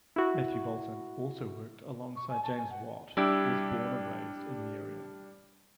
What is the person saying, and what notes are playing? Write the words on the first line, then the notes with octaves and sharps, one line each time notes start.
Matthew Boulton also worked alongside James Watt, was born and raised in the area.
E4 F#4
C#6
G#5
A5
G#5
F#5
G3 D4 E4 G4